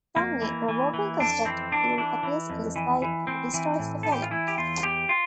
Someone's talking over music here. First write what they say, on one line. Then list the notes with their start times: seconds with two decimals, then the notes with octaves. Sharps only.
Suddenly, a Vogon Constructor Fleet appears in the sky and destroys the planet.
0.16 F2 A#3
0.42 E3
0.68 E3
0.94 E3
1.20 F2 D4
1.45 E3 C4
1.71 E3 D4
1.98 E3 D4
2.23 E3
2.50 F2
2.76 E3
3.02 E3
3.27 E3 C4
3.54 E3
3.79 A2
4.03 E3 A4
4.12 G4
4.23 F4
4.31 E3 E4
4.48 G4
4.57 E2 F4
4.83 E2 G4
5.09 F4